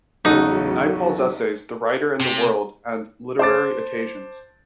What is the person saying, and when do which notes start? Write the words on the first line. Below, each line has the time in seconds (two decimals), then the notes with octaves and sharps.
Naipaul's essays, "The Writer and the World" and "Literary Occasions".
0.25 A1 E2 C#3 F#3 D#4 A4 F#5
2.20 C3
3.39 C5 A5 D6 A6